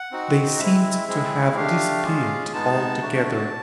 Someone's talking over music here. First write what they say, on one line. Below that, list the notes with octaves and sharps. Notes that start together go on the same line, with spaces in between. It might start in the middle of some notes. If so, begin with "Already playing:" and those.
They seemed to have disappeared altogether.
Already playing: F#5
C4 D#4 F#4
G#3 C4 E4 E5
G#3 C4 E4 G#4
A3 D4 G4 F5
G#3 C#4 F4 G#4
G#3 B3 D#4 A5
A3 D4 F#4